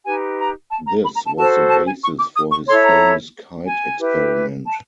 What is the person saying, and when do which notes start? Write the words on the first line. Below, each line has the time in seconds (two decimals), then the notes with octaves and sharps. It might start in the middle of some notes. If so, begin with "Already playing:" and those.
This was the basis for his famous kite experiment.
0.05 D#4 G4 B4 G#5
0.39 A#5
0.71 A5
0.87 A#5
1.04 B5
1.15 A#5
1.26 A5
1.36 F#4 A4 C5 A5
1.69 A5
1.85 G#5
2.02 C#6
2.18 D6
2.34 D#6
2.50 C#6
2.68 E4 A4 C#5 C6
2.84 A#5
3.66 G#5
3.98 E4 G4 B4
4.64 A5